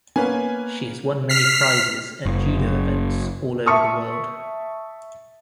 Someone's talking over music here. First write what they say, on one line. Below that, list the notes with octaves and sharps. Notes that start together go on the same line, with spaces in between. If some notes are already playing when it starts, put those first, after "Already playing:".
She has won many prizes at Judo events all over the world.
A#3 B3 C#4 B4 G#5
F6 B6 C7
F#1
E5 A5 C#6 D#6